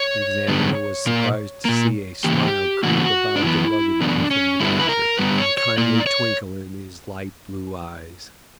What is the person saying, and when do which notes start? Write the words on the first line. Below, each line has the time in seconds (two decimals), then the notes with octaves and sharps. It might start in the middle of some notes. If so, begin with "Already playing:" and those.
The examiner was surprised to see a smile creep about the rugged mouth of the banker, and a kindly twinkle in his light-blue eyes.
Already playing: C#5
0.48 F#2 D3 G3 B3
1.06 A#2 A#3
1.65 A#2 A#3
2.24 C#3 E3 A#3 G4
2.83 C#3 E3 A#3 F#4
3.36 D4
3.42 F#2 E3 B3 E4
4.01 F#2 E3 B3 D4
4.31 C#4
4.60 G2 D3 G3 B3 E4
4.79 B4
4.89 A#4
5.18 G2 D3 G3 B3 B4
5.38 C#5
5.57 C#5
5.78 A#2 A#3 D5
6.06 C#5